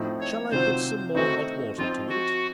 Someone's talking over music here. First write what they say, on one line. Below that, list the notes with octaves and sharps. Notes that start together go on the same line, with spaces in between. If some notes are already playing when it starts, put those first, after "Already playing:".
Shall I put some more hot water to it?
Already playing: A2 F3 C4 D#4
C#5
C3 D#3 F#3 C4 F4 C5
D#3 A3 C4 D#4 F#4
F3 C4 D#4 F4
F#4